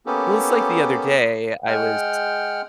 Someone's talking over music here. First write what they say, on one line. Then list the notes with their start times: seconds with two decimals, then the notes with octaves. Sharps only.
Well, it's like the other day, I was
0.06 A#3 B3 C#4 G4 A4
1.67 G#3 F#5 G5 F6